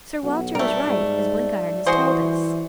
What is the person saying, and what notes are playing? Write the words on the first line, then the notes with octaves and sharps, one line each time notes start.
'Sir Walter was right, as Blenkiron has told us.
B1 F#4
G3 A3 A#4
G#2
E3 F#4 G#4 C5